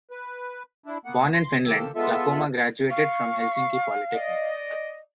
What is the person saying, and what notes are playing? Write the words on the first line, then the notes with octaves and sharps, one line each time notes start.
Born in Finland, Lakomaa graduated from Helsinki Polytechnics.
B4
D4 E4
A#3 B3 F#5
C6
C3 D#3 A#3 G4 A4 E6
G#3 B3 F4 A4 E5
F5 C#6
D5 D#5